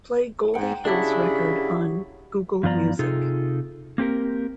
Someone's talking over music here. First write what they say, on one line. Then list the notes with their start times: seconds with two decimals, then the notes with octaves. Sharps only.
Play Goldie Hill's record on Google Music.
0.54 G#2 F#5 G5
0.85 C#3 F#3 D4 E4 G4
2.63 G2 F3 B3 F4 D5 A#5
2.99 C3 D#4 F4 G#4 A4
3.98 A#3 C4 G4 A#4